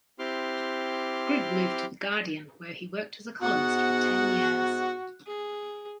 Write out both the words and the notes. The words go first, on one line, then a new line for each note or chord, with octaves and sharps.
Grigg moved to "The Guardian", where he worked as a columnist for ten years.
C4 E4 G4 C6 D6 F6
G#2 B3 F#4 F#5
G#4